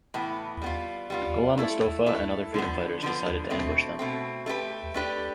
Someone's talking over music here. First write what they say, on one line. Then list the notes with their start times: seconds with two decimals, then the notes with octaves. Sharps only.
Golam Mostofa and other freedom fighters decided to ambush them.
0.14 A2 E3 B3
0.62 G3 B3 F4
1.10 G3 B3 F4
1.58 A3 E4 A4
2.06 A3 E4 A4
2.54 D3 F3 B3
3.02 D3 F3 B3
3.50 B2 A3 C4
3.99 B2 A3 C4
4.46 A3 D4 G4 B4
4.94 A3 D4 G4 B4